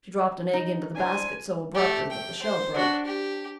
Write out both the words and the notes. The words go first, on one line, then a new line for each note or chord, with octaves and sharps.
She dropped an egg into the basket so abruptly that the shell broke.
D#4
D4 E4 C5 G#5
A3 G4
G5
C5
D4 F#4
G4